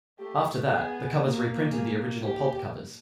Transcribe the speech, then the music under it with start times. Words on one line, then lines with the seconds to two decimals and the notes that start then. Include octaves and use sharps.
After that, the covers reprinted the original pulp covers.
0.19 A3 G4
0.70 B3 G#4
1.21 A#3
1.72 G#4
2.23 G4